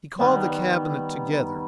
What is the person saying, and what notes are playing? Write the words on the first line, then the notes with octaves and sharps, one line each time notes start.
He called the Cabinet together.
D#3 G3 B3